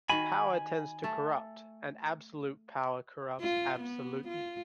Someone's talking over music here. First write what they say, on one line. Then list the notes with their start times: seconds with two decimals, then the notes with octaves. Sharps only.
Power tends to corrupt, and absolute power corrupts absolutely.
0.10 D#3 F#4 D#5 G#5 B5
1.04 A3 A4
3.40 F4
3.81 B3
4.28 F4